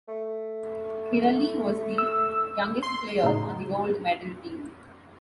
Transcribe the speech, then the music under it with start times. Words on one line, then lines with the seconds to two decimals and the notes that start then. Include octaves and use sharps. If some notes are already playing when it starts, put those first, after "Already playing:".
Kiraly was the youngest player on the gold medal team.
0.08 A3
1.98 E6
2.83 C6
3.24 A2 C#3 D#4